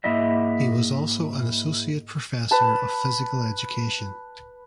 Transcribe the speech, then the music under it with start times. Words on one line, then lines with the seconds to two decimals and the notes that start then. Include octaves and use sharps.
He was also an associate professor of physical education.
0.04 G#2 A#3 E4 D#5 E5
2.51 B4 A5